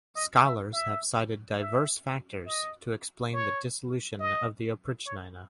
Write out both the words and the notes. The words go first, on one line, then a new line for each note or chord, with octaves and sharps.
Scholars have cited diverse factors to explain the dissolution of the oprichnina.
D#5
E5
E5
E5
D#5
C#5
D#5
C#5